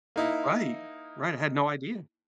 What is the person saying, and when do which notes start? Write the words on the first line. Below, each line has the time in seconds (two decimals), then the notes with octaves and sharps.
Right, right, I had no idea.
0.16 A#3 D#4 E4